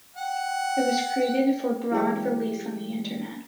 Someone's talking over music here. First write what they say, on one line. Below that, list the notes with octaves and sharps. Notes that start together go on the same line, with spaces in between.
It was created for broad release on the Internet.
F#5 G5
E3 F#3 G#3 G4